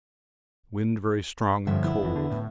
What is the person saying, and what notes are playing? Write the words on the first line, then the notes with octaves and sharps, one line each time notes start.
Wind very strong and cold.
G2 D3 E3 F3 C#5 E5
B3 D4 E4
F#1 E3
D3
A2